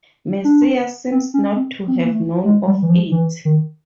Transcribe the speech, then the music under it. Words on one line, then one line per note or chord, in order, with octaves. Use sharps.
Messier seems not to have known of it.
D4
C4
C#4
C4
C4
B3
A#3
A3
G#3
G3
E3
F3
E3
D#3